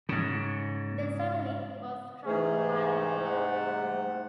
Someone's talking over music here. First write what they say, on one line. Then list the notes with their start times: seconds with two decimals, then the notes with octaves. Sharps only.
Then suddenly he was struck violently.
0.09 G#2 C#3
2.26 G#2 C3 E3 A3 G#4
3.24 F#5